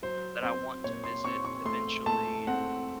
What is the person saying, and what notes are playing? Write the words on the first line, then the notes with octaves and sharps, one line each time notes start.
that I want to visit eventually and,
F#3 C5
C4 C5
A#2 C#5
C6
C4 C#6
C#6
A3 C6
A3 A5
C4 F#5